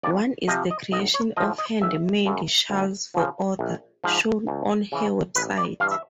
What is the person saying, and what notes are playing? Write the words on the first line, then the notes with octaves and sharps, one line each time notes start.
One is the creation of hand-made shawls for order, shown on her website.
F2 D5
C3 F3 D#5
D#5
B1 D#5
C#5
A2 F3 D#5
D#5
G#1 E5
F#2 C#3
D2
C#3 F3
A#1
G#2 F3
C#2
C#3 E3
A1 B4
D5
G2 E3 F5
E5